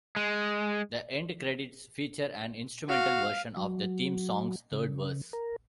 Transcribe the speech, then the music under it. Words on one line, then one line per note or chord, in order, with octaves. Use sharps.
The end credits feature an instrumental version of the theme song's third verse.
G#3
F#4 F5
F#3
C#3
A#4